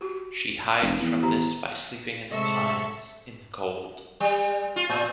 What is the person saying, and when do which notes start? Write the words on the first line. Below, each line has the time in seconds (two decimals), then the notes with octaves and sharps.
She hides from this by sleeping in the pines, in the cold.
0.01 F#4 G4
0.81 F1
1.00 E2
1.22 D#3 G4 A#5
2.31 A2 C3 G#3 A4 E5 C#6
4.20 G3
4.76 F4
4.89 A2